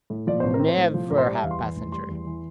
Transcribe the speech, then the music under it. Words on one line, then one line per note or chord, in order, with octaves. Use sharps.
Never have passengers.
A2
F3 D5
A1 C5
A#4
C4
C5
A2
F3
A1 A#4
C5
G3 D5
E5
E2 F5
C6
E3
F1
G3 C6
E2
E3